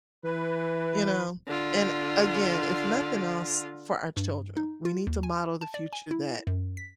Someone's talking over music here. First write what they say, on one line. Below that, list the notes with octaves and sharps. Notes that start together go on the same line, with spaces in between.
you know, and again, if nothing else for our children, we need to model the future that
E3 B4
D3 F4
G2
D#4
F4
D#2
G#5
A5
D5
G#5
E4
F#2
B6